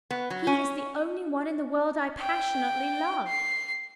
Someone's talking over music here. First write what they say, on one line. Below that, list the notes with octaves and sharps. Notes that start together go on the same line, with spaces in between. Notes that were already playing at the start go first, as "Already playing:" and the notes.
He is the only one in the world I passionately love.
B3
F#3
C#4
G5
C7